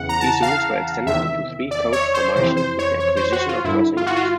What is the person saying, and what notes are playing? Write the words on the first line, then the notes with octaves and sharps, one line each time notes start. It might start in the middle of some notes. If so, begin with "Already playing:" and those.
These units were extended into three-coach formations with the acquisition of further units.
Already playing: E2 C#3 E3 F#5
A#5
A5
F5
E2 C3 D#3 E5
D5
C#5
C5
F2 C3 E3 C5
C5
C#5
C#5
C5
F#4
F4
G2 D3 E4
F4
F#4
F4